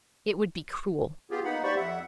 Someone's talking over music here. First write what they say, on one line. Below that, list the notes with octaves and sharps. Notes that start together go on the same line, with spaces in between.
It would be cruel.'
B3 F4 G4 G#4
A#3 B3 D#4 F#5 B5
G4 C5 D5 B5 C#6
F2 E5 F#5